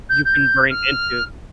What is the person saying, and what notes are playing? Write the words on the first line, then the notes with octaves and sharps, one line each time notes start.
you can bring into
G6
G6
F6